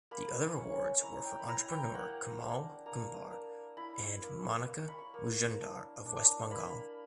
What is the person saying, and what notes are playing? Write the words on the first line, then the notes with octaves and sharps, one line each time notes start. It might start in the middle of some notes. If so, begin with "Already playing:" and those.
The other awards were for entrepreneur Kamal Kumbhar and Monika Majumdar of West Bengal.
A#3 B5
C#4 C#6
E4 A#5
G5
B5
E4 A#5
G5
A#3 F#5
D4
A#3 A#5
A#3
E4 B5
A#3
A#3
C#6
B5
C#6
A#3
D4
D4
A#3 B5